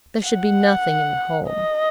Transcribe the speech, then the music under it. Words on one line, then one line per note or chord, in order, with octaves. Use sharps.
There should be nothing in the home.
F#5
D#5